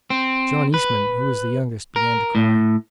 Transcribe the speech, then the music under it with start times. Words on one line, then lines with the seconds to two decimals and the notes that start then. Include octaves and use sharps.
John Eastman, who was the youngest, began to cry.
0.10 C4
0.74 B4
1.96 A#4
2.35 A2